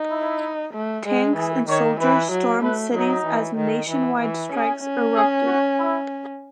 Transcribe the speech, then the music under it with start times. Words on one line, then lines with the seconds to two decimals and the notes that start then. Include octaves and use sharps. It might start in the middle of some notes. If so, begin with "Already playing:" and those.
Tanks and soldiers stormed cities as nationwide strikes erupted.
Already playing: D#4
0.11 E4
0.74 A3
1.06 G#3
1.37 E3 G#4
1.68 D#3 C#5
2.00 E3 B4
2.32 F#3
2.63 A3 B4
2.95 F#3 D#4
3.26 E3
3.57 D#3
3.89 E3
4.21 E3
4.52 C#4 G#4
4.84 C#4
5.15 G#4
5.47 F#4
5.78 E4